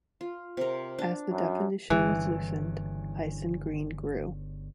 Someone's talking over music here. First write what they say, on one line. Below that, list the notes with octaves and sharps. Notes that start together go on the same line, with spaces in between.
As the definition was loosened, Hyson Green grew.
F4
C3 A#4
D4
F#2
G1 G2 C#3 E3